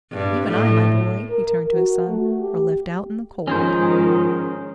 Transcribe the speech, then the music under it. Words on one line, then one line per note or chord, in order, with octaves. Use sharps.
"You and I, my boy," he turned to his son, "are left out in the cold."
G2
A2
A#4
F#4
A3
G4
G#2 D#3 F3 C#4 G#4 C5